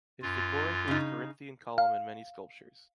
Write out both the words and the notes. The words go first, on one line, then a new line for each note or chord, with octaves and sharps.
His decor includes Corinthian column and many sculptures.
F#2 F4
C#3 D#4
F5